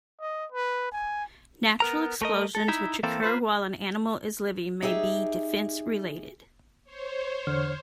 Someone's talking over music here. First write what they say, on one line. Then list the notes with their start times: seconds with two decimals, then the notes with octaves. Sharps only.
Natural explosions which occur while an animal is living may be defense-related.
0.20 D#5
0.52 B4
0.92 G#5
1.80 B3 A#4 A#5
2.22 A3 A#4 D#5
2.55 A4
2.68 D#4 E4 E5
3.03 E3 A#3 C4 A4
3.23 A#3 F4 B4 C5
4.82 D#4 G4 G#4 E5
6.84 C5 C#5
7.47 E2 D3 F6